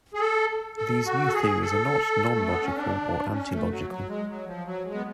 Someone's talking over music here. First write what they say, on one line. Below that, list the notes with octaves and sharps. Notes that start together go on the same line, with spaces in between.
These new theories are not non-logical or anti-logical.
G#4
A4
A4
F#4
A4
G#4
A4
A3
B3
C#4
D4
C#4
A3
F#3
F#3
G#3
F#3
F3
F#3
G#3
B3